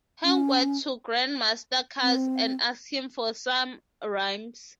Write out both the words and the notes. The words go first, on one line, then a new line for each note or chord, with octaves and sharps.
Hank went to Grandmaster Caz and asked him for some rhymes.
C#4
C4